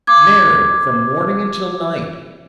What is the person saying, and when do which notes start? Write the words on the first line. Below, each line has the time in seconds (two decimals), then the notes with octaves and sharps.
Mary!' from morning until night.
0.07 D6 G#6